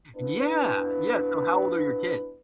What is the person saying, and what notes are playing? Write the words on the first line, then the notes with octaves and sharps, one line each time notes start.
Yeah, yeah. So how old are your kids?
B3 D4 E4 B4